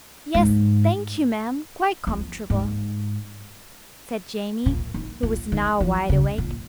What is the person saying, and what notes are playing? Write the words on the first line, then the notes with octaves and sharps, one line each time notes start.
"Yes, thank you, ma'am, quite comfortable," said Jamie, who was now wide-awake.
G#2
F2
G#2
A#2
D#3
A#2
D#3
F3
C#3
A#2